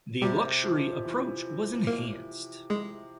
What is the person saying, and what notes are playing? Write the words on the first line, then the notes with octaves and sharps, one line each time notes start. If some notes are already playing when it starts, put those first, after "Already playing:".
The luxury approach was enhanced.
C3 G3 G4
F3
E3
A#3 A#4
G#3 G#4